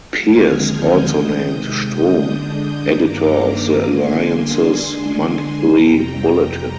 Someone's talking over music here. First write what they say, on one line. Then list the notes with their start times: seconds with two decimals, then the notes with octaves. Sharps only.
Pierce also named Strom editor of the Alliance's monthly "Bulletin".
0.16 D#2 D3 F3 G#3 C4 F6 G#6
0.62 D#6 G6
1.08 C3 D#3 G#3
2.00 D3 G#3 D4
2.92 G2 D#3 A#3 D4 A#5 D6
3.84 D3 G3 A#3 D4 G#5 C6
4.76 D3 G#3 D4
5.68 F2 C3 G3 G5 A#5